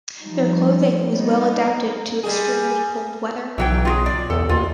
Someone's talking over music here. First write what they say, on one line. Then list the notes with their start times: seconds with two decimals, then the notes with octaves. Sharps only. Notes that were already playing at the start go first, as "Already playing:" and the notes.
Their clothing was well adapted to extremely cold weather.
0.20 F3 G3 D#4
1.08 G3 A#3 B3 D#4
2.23 G3 G#3 G#4
3.58 B1 E3 F#3 G5
3.85 F4 F#4 G#4
4.06 D5
4.30 E2 A4
4.49 D#2 F4